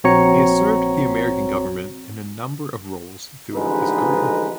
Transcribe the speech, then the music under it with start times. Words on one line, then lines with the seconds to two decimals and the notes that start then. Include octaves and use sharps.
He has served the American government in a number of roles throughout his career.
0.04 A#1 C4 F#4 C#5 A#5 C#7
3.54 A1 D3 F3 G#3 D#4 B4